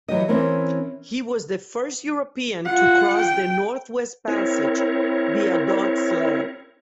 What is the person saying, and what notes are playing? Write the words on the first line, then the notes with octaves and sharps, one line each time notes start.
He was the first European to cross the Northwest Passage via dog sled.
E3 F#3 G4 D#5
E3 C4 C#4 E4 A#4 C#5
F4 F#5
G5
C4 E4 A#4 C#5